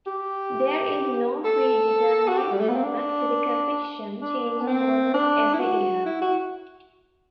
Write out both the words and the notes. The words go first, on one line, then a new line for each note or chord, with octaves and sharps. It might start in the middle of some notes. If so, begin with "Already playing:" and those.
There is no predetermined format for the competition, changing almost every year.
G4
A4
F#4
G4
G3
A3
B3
C4
D4
D4
B3
C4
D4
E4
F#4
E4
F#4